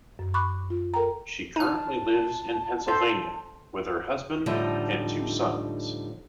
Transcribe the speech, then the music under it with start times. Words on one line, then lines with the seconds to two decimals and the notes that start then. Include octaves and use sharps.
She currently lives in Pennsylvania with her husband and two sons.
0.19 F#2
0.34 B5 C#6 D6 F#6
0.70 F4
0.94 A4 A#4 G5 A#5
1.56 D#4 A5 F6
2.88 A4 C5
4.46 A2 D3 F3 G3 D#4